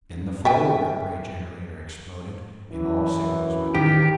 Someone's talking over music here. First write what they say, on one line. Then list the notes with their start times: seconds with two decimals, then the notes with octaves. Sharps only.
Then the forward rep-ray generator exploded, and all signals went dead.
0.45 E5 G5 G#5
2.70 F#2 E3
3.75 D#3 G4